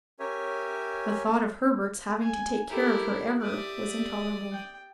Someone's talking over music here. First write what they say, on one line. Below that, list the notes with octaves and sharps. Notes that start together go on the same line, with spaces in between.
The thought of Herbert's having to take care of her ever was intolerable.
C#4 G4 A#4 C#5 E5 G#5
G#5
E4 G4 A4 A#4
G4 D5 E5 D#6
G5